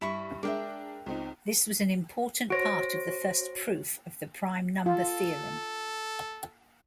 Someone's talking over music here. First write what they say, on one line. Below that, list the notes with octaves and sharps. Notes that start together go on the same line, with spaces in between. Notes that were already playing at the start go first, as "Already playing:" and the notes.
This was an important part of the first proof of the prime number theorem.
G2 E4 B5 C#6
G#3 D4 A#4 E5 G5 D6
C#2 C4 D#4
F#4 C5 C#5 A#6 D7
F4 A4